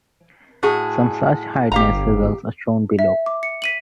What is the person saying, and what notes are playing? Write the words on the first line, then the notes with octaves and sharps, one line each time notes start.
Some such hardness results are shown below.
A2 F#4 G#4
G1 G4 F5 A#5
E5
D6
C#7
B6 D#7 F#7